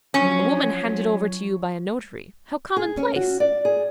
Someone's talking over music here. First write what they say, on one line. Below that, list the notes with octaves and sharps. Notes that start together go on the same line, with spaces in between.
A woman handed over to you by a notary, how commonplace!
F3 F#3 C#4
G#4
C#4
F#4
D5
G#4